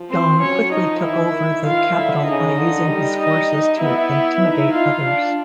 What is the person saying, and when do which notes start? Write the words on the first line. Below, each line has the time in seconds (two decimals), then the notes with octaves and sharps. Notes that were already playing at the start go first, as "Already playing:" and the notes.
Dong quickly took over the capital by using his forces to intimidate others.
Already playing: F3
0.11 C4 C5
0.41 F#3 C#4 C#5
0.72 F3 D#4 D#5
1.03 D#3 E4 E5
1.34 D#3
1.64 F4 F5
1.95 D3 E4 E5
2.26 C#3 D#4 D#5
2.57 D3
2.88 G3
3.19 D#4 D#5
3.49 D#4 D#5
3.81 B3 E4 E5
4.42 D#4
4.73 F4 F5
5.04 D4